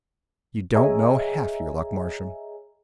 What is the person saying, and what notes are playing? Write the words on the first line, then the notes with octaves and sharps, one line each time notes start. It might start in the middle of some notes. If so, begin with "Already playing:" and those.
You don't know half your luck, Marsham....
G#4 C#5 D#5 E5 G#5 A#5